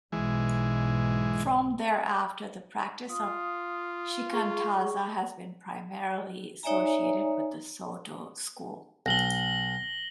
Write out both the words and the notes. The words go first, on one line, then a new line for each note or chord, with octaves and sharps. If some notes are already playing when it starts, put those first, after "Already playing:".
From thereafter the practice of shikantaza has been primarily associated with the Soto school.
B1 G#2 E3 G#3
F4 D#6
G#4 C#6
D#4 C#5 D5 E5 G#5 A#5
B1 A#6 F#7 G7